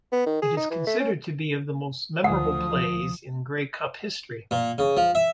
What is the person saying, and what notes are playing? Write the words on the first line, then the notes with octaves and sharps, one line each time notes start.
It is considered to be of the most memorable plays in Grey Cup history.
B3
D#3
G#4
D#4
E3
A3
C#4
D2 F3 F#5 D#6
A#2
C#3
F3
E5